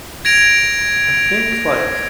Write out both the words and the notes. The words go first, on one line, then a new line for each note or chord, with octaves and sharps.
I think, like,
G#6 A#6 D7 F7